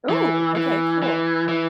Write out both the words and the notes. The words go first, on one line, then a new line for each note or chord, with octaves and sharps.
Ooh, okay, cool.
E3
E3
E3
E3